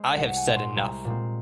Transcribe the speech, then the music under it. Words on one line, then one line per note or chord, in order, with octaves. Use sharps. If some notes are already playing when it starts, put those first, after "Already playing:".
I have said enough.
Already playing: G#3 C4
C2 F#5
G#5
A#2 G#3 C4
C6
C2 A#5
A#2 G#3 C4